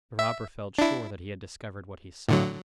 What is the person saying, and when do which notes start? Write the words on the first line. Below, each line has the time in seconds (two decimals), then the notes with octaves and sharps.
The robber felt sure that he had discovered what he sought.
0.19 E5
0.79 D4 E4
2.29 A2 D3 F#3